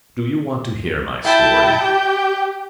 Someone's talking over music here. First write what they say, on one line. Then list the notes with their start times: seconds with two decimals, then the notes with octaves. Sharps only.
"Do you want to hear my story?"
1.25 E4 G5 A5
1.83 G4 G5